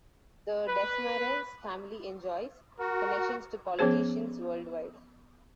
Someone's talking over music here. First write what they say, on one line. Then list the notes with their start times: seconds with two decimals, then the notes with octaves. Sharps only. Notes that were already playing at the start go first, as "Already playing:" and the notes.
The Desmarais family enjoys connections to politicians worldwide.
0.68 B4
2.79 F#4 A#4
3.79 F3 B3 C#4 G#4 C5